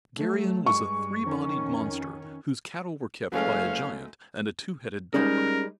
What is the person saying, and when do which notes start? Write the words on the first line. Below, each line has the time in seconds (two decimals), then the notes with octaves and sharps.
Geryon was a three-bodied monster whose cattle were kept by a giant and a two-headed dog!
0.16 F#3 A3
0.66 G2 G#3 C#6
1.22 F2 D#3 C#4
3.32 F#1 F#3 G#3 A3 C#4 F5
5.14 G3 G#3 C#4 D#4 A#4